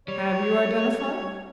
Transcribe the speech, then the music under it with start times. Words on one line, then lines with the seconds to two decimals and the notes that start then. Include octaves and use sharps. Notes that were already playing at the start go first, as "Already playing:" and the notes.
'HAVE you identified?'
0.08 G3 C#5